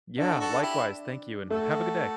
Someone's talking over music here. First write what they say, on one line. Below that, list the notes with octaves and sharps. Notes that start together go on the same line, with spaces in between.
Yeah, likewise, thank you and have a good day.
D4 F#4 A4
F#4 A4
E4 G4
A3 F#4 A4